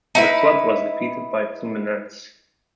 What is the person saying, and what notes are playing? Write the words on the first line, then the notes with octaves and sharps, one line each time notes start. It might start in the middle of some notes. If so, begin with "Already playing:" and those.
The club was defeated by Fluminense.
D#4 E4 B4